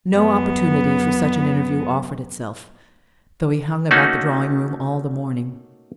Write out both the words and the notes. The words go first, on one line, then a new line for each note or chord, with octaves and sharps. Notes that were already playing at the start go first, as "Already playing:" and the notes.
No opportunity for such an interview offered itself, though he hung about the drawing-room all the morning.
F#2 B3
A3 A#3 C#4 D#4 F#4